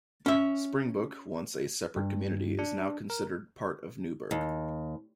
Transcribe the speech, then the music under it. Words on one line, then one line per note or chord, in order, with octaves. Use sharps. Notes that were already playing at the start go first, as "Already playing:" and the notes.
Springbook, once a separate community, is now considered part of Newberg.
C#4 E5
G2
D4
A#4
D#2